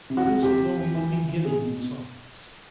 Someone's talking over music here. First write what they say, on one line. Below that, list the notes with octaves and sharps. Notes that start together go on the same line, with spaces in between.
But this was only the beginning of sorrows.
C3
F#4
C3
C3 G4
C3
E3
E3
E3
E3
B2 G#4
B2
B2